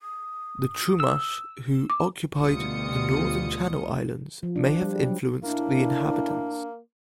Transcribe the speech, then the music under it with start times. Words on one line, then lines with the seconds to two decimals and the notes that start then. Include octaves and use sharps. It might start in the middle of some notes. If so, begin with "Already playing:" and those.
The Chumash, who occupied the northern Channel Islands, may have influenced the inhabitants.
0.01 D#6
1.00 E6
1.90 D6
2.38 D2 B2 G3 F4 D#6 C#7
4.43 F3
4.56 D4
4.82 G3
5.06 F#3
5.44 A2 A#3 D4 E4